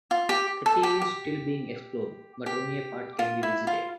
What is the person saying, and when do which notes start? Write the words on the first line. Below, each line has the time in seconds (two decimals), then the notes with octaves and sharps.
The cave is still being explored, but only a part can be visited.
0.11 F4
0.29 G4
0.66 A4
0.83 G4
1.02 G4
2.46 G4
3.19 F4
3.43 E4
3.67 F4